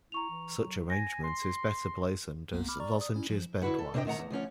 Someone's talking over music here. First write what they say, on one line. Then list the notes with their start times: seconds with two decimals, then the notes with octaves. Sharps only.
Such arrangement is better blazoned as "lozenges bendwise".
0.12 E4 A#5 C#6 F7
0.30 E3
0.57 F#3
0.90 G#5 A#6
1.24 C6
2.53 B1 A#3 B3
2.68 B5 D6 F6
2.80 D5 A#5 C#6
2.98 D5 D#6
3.14 C#4 E4
3.30 F3
3.62 D3 E4 F#4 B4 F#5
3.79 A4
3.94 C3 D4 D#4 C5 D#5 G5
4.06 D2 D#3 E5 F#5 A#5
4.18 E2
4.30 D2 F3 C#4 F#5